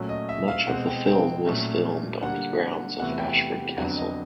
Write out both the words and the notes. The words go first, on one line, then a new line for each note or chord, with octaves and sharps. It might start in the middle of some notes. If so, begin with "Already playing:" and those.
Much of the film was filmed on the grounds of Ashford Castle.
Already playing: A#2 F#3 A3 C#4
D#5
E5
F5
B2 G#3 C4 F#5
G5
G5
A#2 F#3 A3 C#4
D3 G3 A#3 F#5
E2 C3 E3 A3 F#5
G5
F2 D3 F#3 B3 D4 F#5
D#5